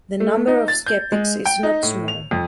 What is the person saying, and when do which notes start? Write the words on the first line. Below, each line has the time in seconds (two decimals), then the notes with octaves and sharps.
The number of skeptics is not small.
0.20 A3
0.47 D#4
0.68 A6
0.86 G6
1.12 G#3
1.45 G5
1.63 D#4
1.83 A2
2.08 F7
2.31 F2